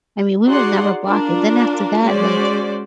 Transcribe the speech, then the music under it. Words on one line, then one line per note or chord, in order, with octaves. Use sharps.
I mean, we would never block it. Then after that, like,
D#4 F#4 G#4 D5 F#5 C6
D4 F4 A#4
G#3 C#4 F#4 C5 D5